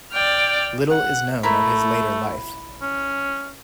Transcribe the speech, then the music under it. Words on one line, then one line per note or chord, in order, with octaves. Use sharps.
Little is known of his later life.
D5 G5 F6
F#5
A3 E4 A#4 B5
C#4